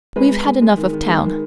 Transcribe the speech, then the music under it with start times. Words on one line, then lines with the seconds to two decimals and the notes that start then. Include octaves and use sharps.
We've had enough of town.
0.16 G#3 B4
0.32 G#3
0.47 G#3
0.62 G#3
0.77 D#3
0.93 D#3
1.08 G#3
1.24 D#3